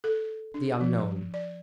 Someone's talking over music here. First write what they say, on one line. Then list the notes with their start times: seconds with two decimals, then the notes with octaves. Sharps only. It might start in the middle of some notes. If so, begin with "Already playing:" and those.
The Unknown.
0.04 A4
0.54 D4
0.81 F3
1.34 D5